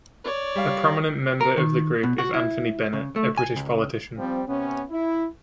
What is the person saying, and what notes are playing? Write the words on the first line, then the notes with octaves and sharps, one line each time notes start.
A prominent member of the group is Anthony Bennett, a British politician.
C#5 D5
G3 F5
A#4
D#3
B2
F#4
E4
C#3
A3
G#5
C#2
F3 G3 C4
C3 B3 C#4
E4